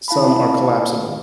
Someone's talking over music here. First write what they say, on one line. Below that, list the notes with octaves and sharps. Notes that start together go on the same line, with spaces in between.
Some are collapsible.
E4 F5 A5 B5